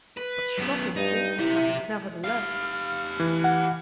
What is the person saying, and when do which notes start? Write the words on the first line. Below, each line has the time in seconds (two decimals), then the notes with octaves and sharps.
But shocking things had happened, nevertheless!
0.17 B4
0.58 F#2 B3
0.96 G2 D#4
1.39 E4 G4 E5
2.24 G4 F5 F6
3.20 E3
3.44 F#5